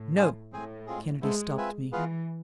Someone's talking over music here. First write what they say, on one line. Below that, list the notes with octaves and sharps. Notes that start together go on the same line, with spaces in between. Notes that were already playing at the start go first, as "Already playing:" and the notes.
"No!" Kennedy stopped me.
Already playing: A2
D4 G#4 C5 F5 G#5
A2 C4 G#4 C5 G#5
G#3 C4 F4 G#4
G#3 B3 E4 A4 C5 E5
C4 F4 B4 E5 G#5
E3 B3 F4 G#4 B4 F5